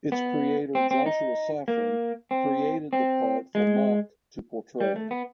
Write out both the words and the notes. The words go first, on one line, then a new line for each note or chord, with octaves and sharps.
Its creator Joshua Safran created the part for Mock to portray.
B3
C4
C4
D#4
A#3
C4
C4
G#3
G3
A3
B3